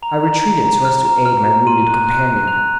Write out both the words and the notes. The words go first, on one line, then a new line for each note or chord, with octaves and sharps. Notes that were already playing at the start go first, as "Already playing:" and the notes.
I retreated, so as to aid my wounded companion.
A#5 F7
A#5
A#5
A#5
F6
A#5
F6
A#5
C6 D#7
F#6
F#6
F#6
F#6 F7